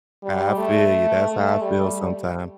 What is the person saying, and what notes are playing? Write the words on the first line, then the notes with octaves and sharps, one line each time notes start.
I feel you, that's how I feel sometimes.
G3
A3
A3
G3